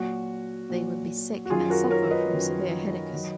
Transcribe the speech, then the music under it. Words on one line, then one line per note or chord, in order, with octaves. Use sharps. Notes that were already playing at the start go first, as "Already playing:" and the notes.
They would be sick and suffer from severe headaches.
Already playing: A#2 F#3 F#4
A#2 F#3
F#4
F#2 D#3 F#3 F4 G#4
F#4 A#4
A#4 C#5
B4 D#5
F#2 D#3 F#3
D#3 F#3